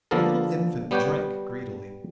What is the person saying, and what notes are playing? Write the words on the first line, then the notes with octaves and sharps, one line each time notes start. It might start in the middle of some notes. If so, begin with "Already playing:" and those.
The little infant drank greedily.
D3 F3 A#3 B3 A4 A#4
G3 B3 G4 B4 C#5 G5